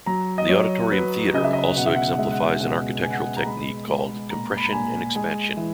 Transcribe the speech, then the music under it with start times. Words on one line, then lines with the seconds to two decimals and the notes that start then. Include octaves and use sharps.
The Auditorium Theatre also exemplifies an architectural technique called "compression and expansion".
0.06 F#3 A#5
0.38 D#5
0.49 F#3 C#5
0.91 F#3 B4
1.34 C#3 D#5
1.44 E5
1.53 D#5
1.76 B2 F#5
1.86 E5
1.95 F#5
2.19 G#3 E5
2.31 F#5
2.42 E5
2.61 B2 F#5
3.03 B2 G#5
3.11 F#5
3.17 G#5
3.37 A#5
3.46 G#3 B5
3.88 G#3
4.30 A#2 A#5
4.57 B5
4.65 A#5
4.73 A#2 G#5
5.15 G#3 G#5
5.57 E3